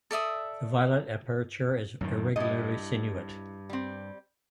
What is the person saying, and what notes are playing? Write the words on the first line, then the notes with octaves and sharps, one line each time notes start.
The violet aperture is irregularly sinuate.
A4 D5 E5 D#6
F#2 A2 D#3
G2 E4 D#5
G3 C4